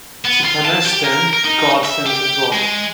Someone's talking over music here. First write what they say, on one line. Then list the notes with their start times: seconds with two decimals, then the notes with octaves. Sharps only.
To punish them, God sent a drought.
0.25 B3
0.44 F4
0.65 A5
0.85 G4
1.04 A#4
1.33 A#4
1.45 D#4
1.84 E5
2.06 G4
2.53 G#3